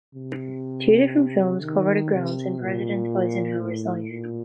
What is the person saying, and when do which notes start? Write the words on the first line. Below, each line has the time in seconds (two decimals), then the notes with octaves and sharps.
Two different films cover the grounds and President Eisenhower's life.
0.15 C3
1.62 D#3
2.13 C3
2.62 A#2
3.61 A2
4.10 A#2